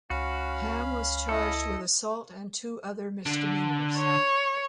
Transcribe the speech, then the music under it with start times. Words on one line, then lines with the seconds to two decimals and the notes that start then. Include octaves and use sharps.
Hamm was charged with assault and two other misdemeanors.
0.10 C#2 C#4 F#4 F5 B5
1.29 E4 A4 D#5
3.26 D3
3.99 C#5